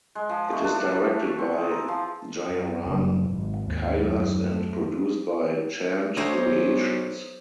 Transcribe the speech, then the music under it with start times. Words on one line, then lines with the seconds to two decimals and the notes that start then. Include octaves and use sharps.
It is directed by Jayaram Kailas and produced by Chand Creations.
0.15 G#3
0.29 F3
0.52 A3
0.64 D4
0.76 F#5
0.92 E3
1.24 C#6
1.38 C4
1.53 G#4
1.71 A#5
1.88 F3
2.48 F#2
2.87 F#1
3.30 G#1
3.65 D#2
4.02 F#2
4.44 A3
6.16 D2 C5 C#5 A#5
6.35 B1